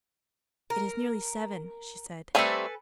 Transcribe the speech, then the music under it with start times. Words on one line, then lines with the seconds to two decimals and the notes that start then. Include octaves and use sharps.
'It is nearly seven,' she said.
0.70 A#4
2.35 G3 A3 C4 A4 B4 G#5